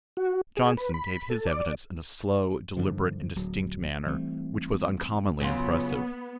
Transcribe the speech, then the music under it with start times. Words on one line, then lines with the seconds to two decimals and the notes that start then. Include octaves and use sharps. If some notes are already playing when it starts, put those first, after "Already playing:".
Johnson gave his evidence in a slow, deliberate, and distinct manner, which was uncommonly impressive.
0.17 F#4
0.57 G#4
0.77 B4
0.94 B5
1.30 A4
1.47 D5
2.77 G2 D3 D#3 F3
3.36 D1 F#3
4.06 E3 G3 A3 C4
5.40 C#3 F#3 B3 F4